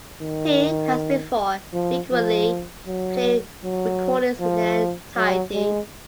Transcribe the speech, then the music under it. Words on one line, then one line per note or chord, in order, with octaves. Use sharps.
He, as before, frequently played recordings in their entirety.
D#3
F3
F3
F#3
F#3
F3
F#3
G#3